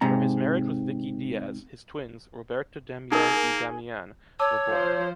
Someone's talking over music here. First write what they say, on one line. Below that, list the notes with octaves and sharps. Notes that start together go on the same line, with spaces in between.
From his marriage with Vicky Díaz, his twins, Roberta Damián y Damián, were born.
G#2 C3 A#5
A#3 D#4 G#4 A#4
C#5 A5 D6 E6
F3 C5